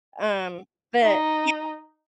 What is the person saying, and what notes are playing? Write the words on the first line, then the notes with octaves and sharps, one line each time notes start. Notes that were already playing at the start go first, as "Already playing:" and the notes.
Um, but, yeah.
D#4